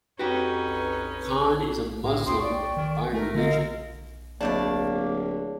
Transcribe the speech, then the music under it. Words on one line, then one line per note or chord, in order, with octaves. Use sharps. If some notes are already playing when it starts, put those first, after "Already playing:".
Khan is a Muslim by religion.
F2 C#4 D#4 F#4 G4 B4
A2
D#2 G5 C6 D#6
D5 G5 C#6
D#3
A3 A4 A#4
D3 A#4 D#5 F5
D1 B2 A3 A#3 D4 G#4 C#5